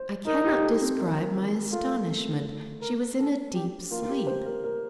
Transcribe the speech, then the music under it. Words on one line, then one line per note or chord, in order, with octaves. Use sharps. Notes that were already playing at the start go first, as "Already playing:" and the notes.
I cannot describe my astonishment; she was in a deep sleep.
Already playing: C5
D#4 A#4
G4
A4
C4
A#3
A3 F4
A#4
A4
G4
A#3 F4
G4
C5
A#4
A#4